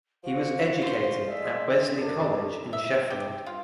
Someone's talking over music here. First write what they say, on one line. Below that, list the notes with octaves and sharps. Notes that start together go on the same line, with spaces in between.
He was educated at Wesley College in Sheffield.
F3 F#4 F5
F4 C5
G#3 D5 E5
F#2 D4 A4
E5
G4
F4